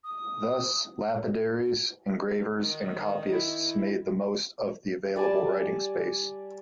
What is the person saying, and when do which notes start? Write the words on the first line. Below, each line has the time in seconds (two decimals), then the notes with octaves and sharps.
Thus, lapidaries, engravers and copyists made the most of the available writing space.
0.04 D#6
2.61 D#3
3.31 E4
5.16 G3 D5 G#5 A5